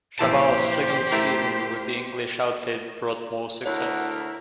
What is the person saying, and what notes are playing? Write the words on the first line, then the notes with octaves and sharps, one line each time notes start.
Chabal's second season with the English outfit brought more success.
A#1 E3 G4 C5 A5
A3 E4 A#4
D2 E4 A#4 C#5 F#5